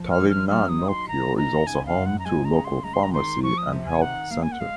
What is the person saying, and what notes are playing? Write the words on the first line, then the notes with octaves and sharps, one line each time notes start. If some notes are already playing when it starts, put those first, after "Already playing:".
Tallinnanaukio is also home to local pharmacy and health center.
Already playing: F3
F6
C#4
F6
F#3 F6
D#6
D#4
C6
D#3 A#5
D#4 A#5
C#3 G#5
F5
F#2
F#5
A#5
G#3 G#5
A#5
C#3
C6
G#3 A#5
C6
A#5
D#3 C6
F3 C#6
D#6
C3
G#5
D#3 F#5
A#3 F5
G#5
F#5
G#3 F5